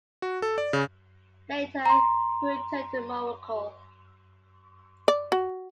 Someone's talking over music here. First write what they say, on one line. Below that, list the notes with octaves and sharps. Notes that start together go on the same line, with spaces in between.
Later he returned to Morocco.
F#4
A4
D5
C#3
A#5 C6
D5
F#4